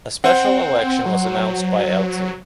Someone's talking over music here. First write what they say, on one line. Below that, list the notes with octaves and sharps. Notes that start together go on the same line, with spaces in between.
A special election was announced by Lt.
C4 C5 F#5
F#3